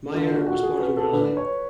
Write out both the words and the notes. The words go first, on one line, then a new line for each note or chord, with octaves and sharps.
Meyer was born in Berlin.
D3 F4
F#4
F#4
G#4
B4
A4
D3 B4
C#5